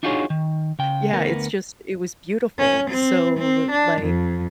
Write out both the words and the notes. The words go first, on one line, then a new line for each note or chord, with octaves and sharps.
Yeah, it's just it was beautiful. So, like,
D4 D#4 F4 F#4 G#4 C#5
D#3
C#3 G5
D2 B3 A#4
C#4
C4
C4
D4
F2